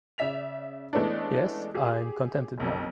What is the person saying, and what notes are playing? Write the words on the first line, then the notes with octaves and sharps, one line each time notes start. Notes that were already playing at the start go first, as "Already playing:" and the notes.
Yes, I am contented now.
C#3 D5 E5 B6 F7
E3 G#3 A3 B3 C#4 D4
G4 G#4
F#1 B1 F2